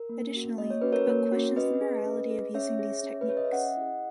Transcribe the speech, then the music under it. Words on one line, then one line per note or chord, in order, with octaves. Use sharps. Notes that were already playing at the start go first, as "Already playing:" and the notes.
Additionally, the book questions the morality of using these techniques.
Already playing: A#4
A#3
C#4 F#4
A#3 D#5
C#5
C#4 F#4 B4
A#4 C#5
A#3
C#4 F#4
C#4 B4 D#5
G#4
C#4
G#4
C#4 C#5 E5
G#4
C#4
B4
G#4 C#5
D#5
E5
C#4 D#5 F#5
E4 G#4